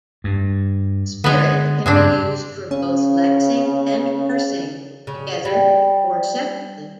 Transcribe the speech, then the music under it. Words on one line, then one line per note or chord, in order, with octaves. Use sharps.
Spirit can be used for both lexing and parsing, together or separately.
G2
D3 G#3 B3
G2 C#3 G#3 C4 D4
C#3 C#4
C#3
G3